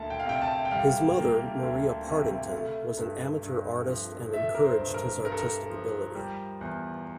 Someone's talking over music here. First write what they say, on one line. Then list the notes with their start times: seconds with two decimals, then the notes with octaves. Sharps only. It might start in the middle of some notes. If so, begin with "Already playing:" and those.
His mother, Maria Partington, was an amateur artist and encouraged his artistic ability.
Already playing: D2 A#3 A5
0.10 G5
0.20 F5
0.26 C3 G5
0.42 A5
0.65 G5
0.71 G3 F5
1.17 A#3
1.62 D2
2.07 C3
2.52 A3
2.97 G2
3.43 G2
3.88 F3
4.34 A3 E5
4.55 A#4
4.64 C5
4.80 G2
4.94 A#4
5.24 G2 A#4
5.32 A4
5.39 A#4
5.70 F3
6.15 G3
6.61 E2